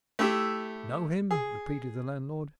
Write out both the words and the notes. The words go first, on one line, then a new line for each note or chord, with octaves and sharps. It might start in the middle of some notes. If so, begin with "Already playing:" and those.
"Know him!" repeated the landlord.
A3 E4 G4
G#4